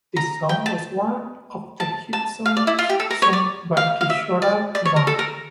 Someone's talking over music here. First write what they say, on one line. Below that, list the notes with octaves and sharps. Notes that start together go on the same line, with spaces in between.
This song was one of the hit songs sung by Kishore Kumar.
A#5
G5
A5
A5
A5
F5
D5
E4
F4
G4
A4
A#4
C#5
D5
F5
F5
E5
D5
D5
C#5
A#4
A4
A#4